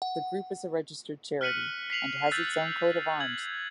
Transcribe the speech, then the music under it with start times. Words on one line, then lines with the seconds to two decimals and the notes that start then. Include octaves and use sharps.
The group is a registered charity, and has its own coat of arms.
0.02 F#5
1.41 F6 F#6 B6 C#7 D#7 F#7
1.90 B6 C7 F7 F#7
2.31 E6 F#6 G6 A6 B6
3.20 G#6 F#7